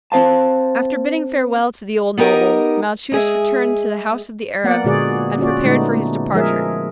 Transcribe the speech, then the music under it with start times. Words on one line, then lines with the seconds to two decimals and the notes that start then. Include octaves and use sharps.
After bidding farewell to the old noble, Malchus returned to the house of the Arab and prepared for his departure.
0.12 C4 C5 F5 A5
2.18 B3 D#4 G4 A#4 D#5
3.12 G#3 G#4 E5
4.64 A#3 B3 D5 F#5
4.84 A#2 D3 G#3 F#4 G#4 D5
5.38 C#4 F4 F#4 D5
5.64 A#2 D3 G#3 A3 B3 D#4
6.34 F3 G#3 G#4 A#4 E5